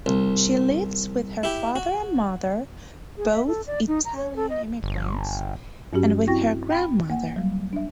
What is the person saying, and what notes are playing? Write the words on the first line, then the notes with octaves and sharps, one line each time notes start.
She lives with her father and mother, both Italian immigrants, and with her grandmother.
C2
E4 G4
F#4
G#4
E5
A4
D5
D#4
A#5
C#5
A4
D#5
G1
G2 F#3 C#4 F#4 G4
C4 E4 F#4 G5 C#6 A#6
G5 B5
A#3 F#5
F#3 G3
D4 E5